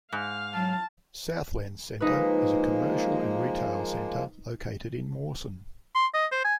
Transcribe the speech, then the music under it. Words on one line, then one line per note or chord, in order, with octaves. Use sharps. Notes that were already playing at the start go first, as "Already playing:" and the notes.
Southlands Centre is a commercial and retail centre located in Mawson.
G#2 F5
F#3 A5
F3 G#3 A#3 D#4 B4
C6
D#5
C5
G#5